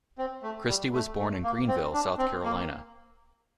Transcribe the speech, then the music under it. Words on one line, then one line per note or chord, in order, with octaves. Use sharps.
Christie was born in Greenville, South Carolina.
C4
A3
G3
A3
A3
A#3
C4
D4
C4
A#3